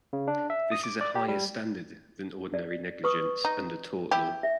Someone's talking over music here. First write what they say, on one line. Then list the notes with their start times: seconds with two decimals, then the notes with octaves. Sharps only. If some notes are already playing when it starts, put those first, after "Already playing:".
This is a higher standard than ordinary negligence under tort law.
0.13 C#3
0.28 D4
0.50 E5
0.72 D#6
0.84 D6
1.01 D5
1.15 G4
1.28 G3
2.54 D5
3.04 B4 C#6 D#6
3.45 D#4
4.11 E4 G4
4.43 E5